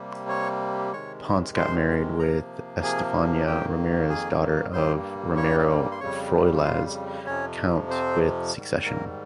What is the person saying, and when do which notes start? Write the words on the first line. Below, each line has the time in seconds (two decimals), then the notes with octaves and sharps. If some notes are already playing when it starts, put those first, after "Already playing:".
Ponce got married with Estefania Ramirez, daughter of Ramiro Froilaz count with succession.
Already playing: C3 G3 A#3
0.29 C#5 C#6
0.93 C3 D#3 G#3 C#5 C#6
1.56 C5 C6
2.19 C3 F3 A#3 A#4 A#5
2.83 G#4 G#5
3.46 F2 D#3 A#3 G4 G5
4.09 G#4 G#5
4.73 G2 G3 A#3 C5 C6
5.37 C#5 C#6
5.91 C6
6.00 F2 C#3 G3 C#5 C#6
6.64 F4 F5
7.27 F2 C3 F3 C#4 C#5
7.90 C4 C5
8.55 G#2 D#3 G3
8.85 A#3 A#4